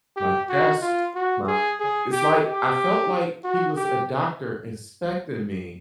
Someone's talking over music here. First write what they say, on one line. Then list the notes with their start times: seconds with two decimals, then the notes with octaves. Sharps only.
my chest, my and it's, like I felt like he was a doctor inspecting me,
0.16 G4
0.49 F#4
0.82 F4
1.15 F#4
1.47 G#4
1.80 G#4
2.12 G4
2.46 G4
3.44 F#4
3.76 G4